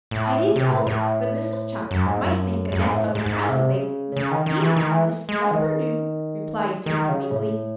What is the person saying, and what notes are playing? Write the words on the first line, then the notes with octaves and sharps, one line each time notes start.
"I didn't know but Mrs. Chuck might make a nest on the ground the way Mrs. Peter and Mrs. Jumper do," replied Jumper meekly.
A2
C3
A2
A2
F#2
G#2
F#2
F#2
G#2
A2
G#2
G#2
G#2
C3
C#3
C#3
D#3
D#3
E3
D#3
E3
G#3
D#3
D#3
C#3
A2